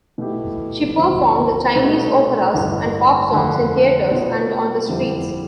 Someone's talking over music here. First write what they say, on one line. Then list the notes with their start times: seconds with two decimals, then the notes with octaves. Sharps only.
She performed Chinese operas and pop songs in theatres and on the streets.
0.18 B2 A3 E4 G4
0.97 D2 D3 F3 C4 E4
1.75 C2 B2 A3
2.54 A1 G2 D3
3.32 F2 D3 A3
4.11 B2 B3 F4 C5
4.89 F2 D3 G3 C4 E4